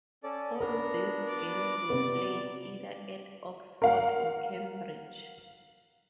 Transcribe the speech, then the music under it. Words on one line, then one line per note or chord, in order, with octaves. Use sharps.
All these games were played either at Oxford or Cambridge.
C#4 A4 D5
B3 D4 A#4 A#5
D5
C3 B3
A#4 F5 F#5